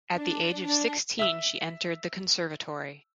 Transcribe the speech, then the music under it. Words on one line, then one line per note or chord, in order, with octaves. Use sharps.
At the age of sixteen she entered the conservatory.
D4
D4
E5 E6